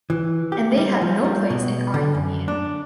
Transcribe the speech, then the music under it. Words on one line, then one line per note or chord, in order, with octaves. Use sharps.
And they have no place in our Union.
E3
G4
G3
F3
G3
B2
D3
F#2
D4